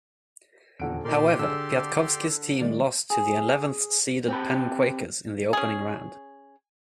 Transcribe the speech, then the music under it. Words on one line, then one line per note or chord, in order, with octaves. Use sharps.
However Piatkowski's team lost to the eleventh seeded Penn Quakers in the opening round.
D#1 E2 D3 F#5 D7
A#2 D#4 G4 A#4 D5 C6
D3 G#4 E6
D#3 G#3 D5
G#4
C4 G4 B4
C#4 G#4